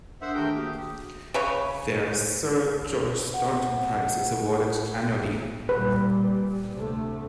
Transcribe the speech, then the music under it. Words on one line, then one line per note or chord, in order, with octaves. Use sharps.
Their Sir George Staunton prize is awarded annually.
D4 A#4 C5 E5 F#5 D#6
D#3 A3 G4 G#4 A#4 G5
A#3 F#4 G4 D#6
C#3 B4 C#5
F#5
A#2 G3 B4
D2 C3 A3